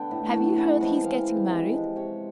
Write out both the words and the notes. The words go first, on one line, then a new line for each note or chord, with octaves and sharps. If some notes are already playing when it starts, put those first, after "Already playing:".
Have you heard he is getting married?
Already playing: D3 B3 D4 G5
A2
F#3 A3 D4
C#3 F#5
F3 G#3 C4 F#5
E3 F5
G#3 C4
C3 E5
F3 G#3
C3 C#5